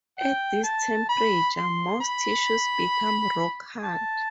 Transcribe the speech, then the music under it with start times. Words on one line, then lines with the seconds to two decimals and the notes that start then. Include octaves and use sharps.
At this temperature, most tissues become rock-hard.
0.19 G5
0.64 A5
1.09 B5
1.56 C6
2.00 B5
3.83 A5